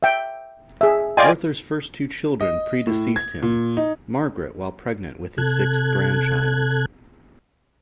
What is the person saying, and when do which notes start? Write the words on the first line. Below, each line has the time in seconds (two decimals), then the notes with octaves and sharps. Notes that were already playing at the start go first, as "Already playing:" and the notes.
Arthur's first two children predeceased him, Margaret while pregnant with his sixth grandchild.
0.03 E5 G5
0.81 G#4 E5
1.17 F4 D5 D#5 G5 G#5 C6
2.41 D#5
2.87 A2
3.16 G#6
3.42 A#2
3.77 D#4
5.38 C3 A4 F#6 G#6